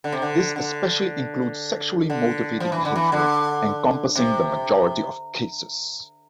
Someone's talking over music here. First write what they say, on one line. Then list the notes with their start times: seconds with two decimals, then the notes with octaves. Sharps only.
This especially includes sexually motivated behaviour, encompassing the majority of cases.
0.04 D3
0.12 C3
0.22 D3
0.56 D3
2.10 D3
2.60 F3
2.72 E3
2.85 D3
2.95 E3
3.12 D3
4.15 C3